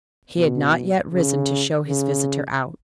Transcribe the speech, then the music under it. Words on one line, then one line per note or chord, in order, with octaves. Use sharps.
He had not yet risen to show his visitor out.
B2
C#3
C#3